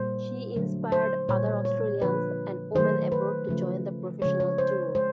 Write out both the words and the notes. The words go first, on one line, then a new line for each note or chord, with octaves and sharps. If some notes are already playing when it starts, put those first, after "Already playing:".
She inspired other Australians and women abroad to join the professional tour.
Already playing: A#2 G3 A#3 C5
D3 F#3 A3
C5
A#2 G3 A#3 C#5
C#5
D3 F3 A#3 B4
D#3 F#3 A3 C5
B4
C#3 F3 A3
C#3 F3 G#3 C#5
C#5
C5
G#3 C5